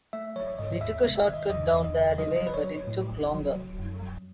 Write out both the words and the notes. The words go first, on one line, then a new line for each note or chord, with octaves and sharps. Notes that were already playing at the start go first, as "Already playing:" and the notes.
We took a shortcut down the alleyway, but it took longer.
A3 E5
F#3 C#5
G#2 D#5
D#2 E5
G#3
E5
D#3
D#5
E2 D#5
E2
D#5
C#3
F#3 D#5
D#5
F#3 B4
C#5
F#3
A2
A1
F#3
F#3
F#2
F#3